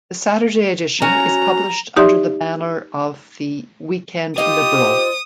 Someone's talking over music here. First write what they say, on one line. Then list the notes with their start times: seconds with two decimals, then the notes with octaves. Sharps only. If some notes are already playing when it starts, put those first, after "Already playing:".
The Saturday edition is published under the banner of the "Weekend Liberal".
1.02 C#4 F#4 G#5 A#5
1.97 D#4 G4 D5 E5 C6
4.38 D#4 F4 G4 D#5 D#6
4.74 C5